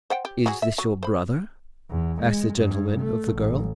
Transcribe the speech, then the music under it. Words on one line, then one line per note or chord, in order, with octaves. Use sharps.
"Is this your brother?" asked the gentleman of the girl.
C5 F#5 G5
G4
F#3 F#4 G#4
E5
F#3
C5 B5
E2
G#3
G2
A3
A1